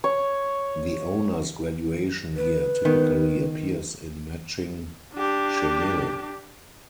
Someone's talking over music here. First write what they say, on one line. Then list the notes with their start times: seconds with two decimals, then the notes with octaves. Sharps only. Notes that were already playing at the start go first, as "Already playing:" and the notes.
The owner's graduation year typically appears in matching chenille.
0.04 C#5
2.36 B4
2.85 D#3 B3
5.14 D4 G4